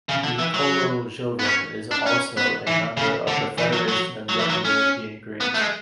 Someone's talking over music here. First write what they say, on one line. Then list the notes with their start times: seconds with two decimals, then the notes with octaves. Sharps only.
Ecolojovem is also a member of the Federation of Young European Greens.
0.09 C#3
0.24 D3
0.39 E3
0.54 F#3
1.39 B3
1.45 C#4
1.91 D4
2.06 C#4
2.37 B3
2.67 E3
2.97 C#3
3.27 D3
3.58 E3
3.73 F#3
3.88 F#3
4.29 F#3
4.39 E3
4.50 F#3
4.65 C#4
5.40 B3
5.54 A3
5.61 G#3